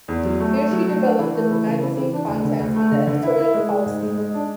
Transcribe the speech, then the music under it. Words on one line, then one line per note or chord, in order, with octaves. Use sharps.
Here she developed the magazine content and editorial policy.
E2
F#3
A3
A3
F#3
A3
D4
E3
A3
E3
C#3
E3
E3
D4
D2
D3
D2
A3
D3
D3
E4
E4
G#3
G#3
G#2
G#3
G#3
D4